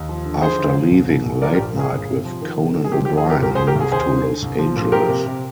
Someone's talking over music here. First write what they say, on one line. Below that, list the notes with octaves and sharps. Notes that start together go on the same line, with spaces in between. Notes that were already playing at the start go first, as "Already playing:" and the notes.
After leaving "Late Night with Conan O'Brien", he moved to Los Angeles.
Already playing: D#2
F3
D3
F3 G#4 C5
D#2
D#2
C2
C2
C2
F3 A#4 D5
G4 A#4
A#1
A#2 G#4
G1
C3
F3
D#3
C3
D#3
G#4
F3 G4
G4
D#2
G#4
F3 G4 A#4
C2 G4 A#4
G#4 C5
C2
G4 A#4
C2
G#4
D#2 G#4 C5
D3
D3
C2
F3
A#2
F3 G4 A#4
C3
C3